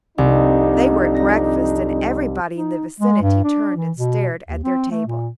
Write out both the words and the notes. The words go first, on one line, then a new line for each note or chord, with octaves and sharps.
They were at breakfast, and everybody in the vicinity turned and stared at their table.
C2 F2 D4 D#4
A#6
D#4
G#3
G2
D4
E3
B2
D#2
C4
A3
A#2